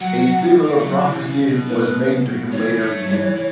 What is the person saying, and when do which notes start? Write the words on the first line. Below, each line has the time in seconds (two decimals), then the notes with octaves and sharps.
A similar prophecy was made to him later in England.
0.01 F#3 F#5
0.21 F#3
0.43 E3
0.63 E3
0.79 A3
0.85 F#3
1.05 E3
1.26 C#3
1.47 B2
1.69 B4
2.52 E3 C#5
2.80 A3
3.07 E3
3.36 E3